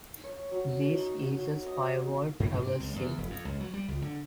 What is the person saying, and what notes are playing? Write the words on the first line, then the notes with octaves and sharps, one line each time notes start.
This eases firewall traversing.
C#5
F#3
D#4
F#3
D#5
G#2
G#2
C4
C#2
E2
F1
F2
C#2
F#3
G3
C#2
D3